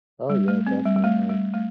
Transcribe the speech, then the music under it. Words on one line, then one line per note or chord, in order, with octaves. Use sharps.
Oh, yeah. Definitely.
G3
A3
C4
G3
G3
A3
G3
A3